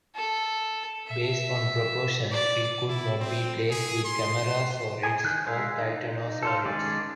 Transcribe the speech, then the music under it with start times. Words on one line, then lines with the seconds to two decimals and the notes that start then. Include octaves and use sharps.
Based on proportions, it could not be placed with camarasaurids or titanosaurids.
0.15 A4
1.08 E5
2.32 D5
2.88 E4
3.20 C4
3.71 G#4
4.05 C6
5.03 G#4 G#5
5.24 D#3 F#6 G6
5.47 G#3 G#4 E5 F5
5.78 D#4
6.43 A4 C5 F5
6.65 D#3 G#3 C#4 G#4 D5